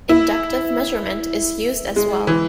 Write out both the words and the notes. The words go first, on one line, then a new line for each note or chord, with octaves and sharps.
Inductive measurement is used as well.
E4
G#3
E3